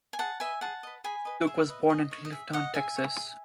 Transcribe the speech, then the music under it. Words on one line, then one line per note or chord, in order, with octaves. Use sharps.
Duke was born in Clifton, Texas.
G#5
G#4 F#5 A5
B4 D#5 E5 G#5
G#4 F#5 A5
B4 D#5
G#4 G#5 B5
B4 D#5
G#4 E5
B4 D#5
G#4 D#5
C#5
D#5
G#4 E5
C#5 D#5 F#5
G#4 E5 G#5
C#5
G#4